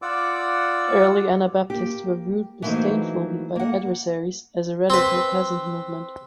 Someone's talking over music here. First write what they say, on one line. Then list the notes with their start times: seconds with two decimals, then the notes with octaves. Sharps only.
Early Anabaptists were viewed disdainfully by their adversaries as a radical peasant movement.
0.02 F4 D5 F#5 D6 E6
1.70 A#3 G4
2.62 E3 F#3 A3 A#3 D#4 C5
3.56 A#3 F#5
4.90 C4 B4